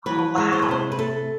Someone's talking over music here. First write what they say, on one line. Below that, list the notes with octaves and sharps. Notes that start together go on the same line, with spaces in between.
Oh, wow.
E3 B4
G#3
C5
B4
C3 C5
B4
A3 A4